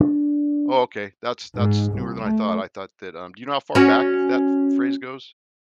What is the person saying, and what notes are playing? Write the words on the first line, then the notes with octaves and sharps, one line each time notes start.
Oh, okay. That's that's newer than I thought. I thought that, um, do you know how far back that ph phrase goes?
D4
G#2
C2
A3
C#4 F#4 D5